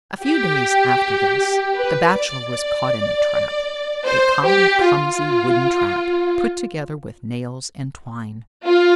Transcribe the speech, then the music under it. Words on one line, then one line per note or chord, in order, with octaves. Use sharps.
A few days after this, the Bachelor was caught in a trap--a common, clumsy, wooden trap, put together with nails and twine.
G4
B4
D5
D5
C5
G4
F4
F4